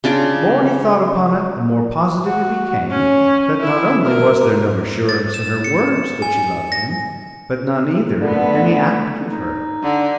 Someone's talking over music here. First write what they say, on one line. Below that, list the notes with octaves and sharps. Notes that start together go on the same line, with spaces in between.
The more he thought upon it the more positive he became that not only was there no assurance in her words that she loved him, but none either in any act of hers.
C#3 D4 F4 D6
F#4
C#4
E4
A#4
A6
E7
C#7
G#5
A#6
D3 A3 B3
D#4
D3